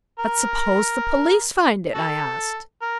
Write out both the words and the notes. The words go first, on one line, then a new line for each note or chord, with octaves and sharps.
"But suppose the police find it?" I asked.
A#4
F#4 A4
A#4